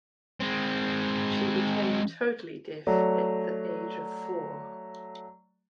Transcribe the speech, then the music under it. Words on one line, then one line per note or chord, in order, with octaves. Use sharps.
She became totally deaf at the age of four.
G#3 C4
F#3 A3 D5